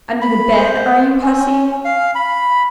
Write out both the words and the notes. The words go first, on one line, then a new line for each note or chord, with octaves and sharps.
Under the bed, are you, hussy?
B5
C5
C#4
F5
B5